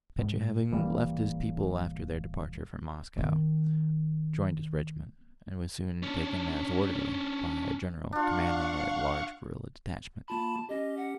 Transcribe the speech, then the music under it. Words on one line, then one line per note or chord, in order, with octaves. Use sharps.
Petya, having left his people after their departure from Moscow, joined his regiment and was soon taken as orderly by a general commanding a large guerrilla detachment.
G#2
D1 E3 G3 A#3
D#3 C4
C#4 D4
D4 F4 F5 F#5 C#6
A#3 F4 A5 B5
C#4 G4 D#5
F#5